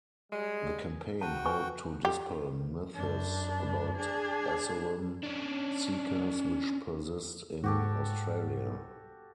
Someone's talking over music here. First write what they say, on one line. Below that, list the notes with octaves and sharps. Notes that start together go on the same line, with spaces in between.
The campaign hoped to dispel myths about asylum seekers which persist in Australia.
G3 G#3
F#4 G5 A5
B4 G#5 C#6
G4
F#2 D4
D4 G#4
C#4 D4
G#2 F#4 G4 A4